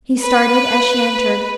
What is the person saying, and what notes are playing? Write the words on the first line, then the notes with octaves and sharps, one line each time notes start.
He started as she entered.
B4